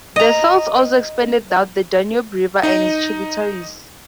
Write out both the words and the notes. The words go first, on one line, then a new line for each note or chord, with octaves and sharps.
The Celts also expanded down the Danube river and its tributaries.
D#5 A#5
D#4 D#5